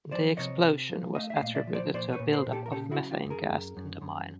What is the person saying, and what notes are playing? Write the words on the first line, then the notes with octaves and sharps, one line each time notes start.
The explosion was attributed to a build-up of methane gas in the mine.
F3 C5 D5
C3 C#5 D#5
C3
F3
A3 D#5 F5
E5
D#5 F5
A#2
D5 E5
F3
C5 D5
A#2 C5 D5
B4 C#5
A#2
A#4 C5
A#2
G4 A4
A#4
C#3 G4 A4
E4 F#4
F#3
F4 G4
F#2
G#4 A#4
F#2
F#2
F#2